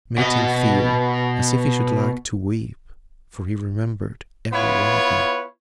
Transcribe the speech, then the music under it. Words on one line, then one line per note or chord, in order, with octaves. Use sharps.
It made him feel as if he should like to weep, for he remembered every one of them.
B2 D#5
B3 E4 F4 B4 C#5